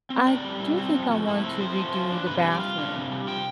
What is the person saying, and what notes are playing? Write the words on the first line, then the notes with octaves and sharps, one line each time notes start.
I do think I want to redo the bathroom,
C4
A2 D5
G3
E4
C4
F3
A3
E4
C4
F3 C5
A3
F4
D4
C3 B4
B4
G3
D5
F4 F5
D4
C3
G3
F4 G5